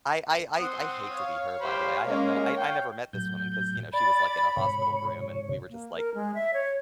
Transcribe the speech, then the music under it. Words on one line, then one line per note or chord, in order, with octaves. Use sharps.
I I I I'd hate to be her, by the way, I have no I I never met this woman 'cause, you know, she was, like, in a hospital room, and we were just, like,
C4 F#5 C6 D#6
C#5 F5
G4 C5 B5
G#3 A#3 C#4
G5
A2 F#3 G6
D5 B5 A6
G#2 C3 C#5
A#3
A#4
G#3
E5
C#5